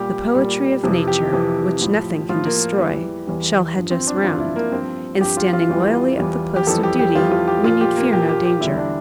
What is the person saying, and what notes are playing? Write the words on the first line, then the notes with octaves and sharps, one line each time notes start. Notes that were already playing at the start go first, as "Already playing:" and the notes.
The poetry of Nature, which nothing can destroy, shall hedge us round; and standing loyally at the post of duty, we need fear no danger.
Already playing: A#2 G3 G4
A#2 G3
F2 C3 E3
G4
F2 C3 E3
A2 F3
A2 F3 F4
A#3
E2 E3 G3
E2 E3 G3
G2 F3
C4
D4
G2 F3 F4
E4
A#3
G2 F3 C4
G2 F3 G4
F4
F4
E2 E3 G3
E2 E3 G3
G4
F2 E3 G3 A4
G4
G4
F2 E3 G3 F4
F4
G4
A#2 F3 F4
G4
A#3
A#2 F3 G4
G4
G4
E2 D3 G3 E4
D4